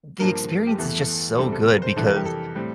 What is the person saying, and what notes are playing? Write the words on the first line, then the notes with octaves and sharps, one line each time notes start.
The experience is just so good because,
G2 F3 A#3 D4 A#4
G4
E2 E3 A3 A4
E2 C3 G3 C4 A4
A4
A#4
C5
F2 C3 E3 G3 A4
A#4
G4
A4
A2 G3 C4